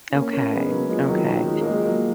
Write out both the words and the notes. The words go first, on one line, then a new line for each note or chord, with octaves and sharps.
Okay, okay.
A#3 C#4
A#3 C#4
G#3 B3
F#3 A#3
F3 G#3
D#3 F#3
D#3 F#3
F3 G#3
A#3
F3 G#3
F#3 A#3